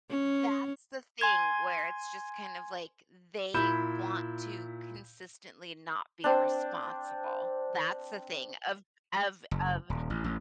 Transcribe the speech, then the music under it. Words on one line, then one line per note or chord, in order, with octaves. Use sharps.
that's the thing where it's just kind of, like, they want to consistently not be responsible. That's the thing of of of
C#4
G#5 C6 G#6
A#2 E4 B5 G6 E7
C4 D4
F#1
D#1
A1
A1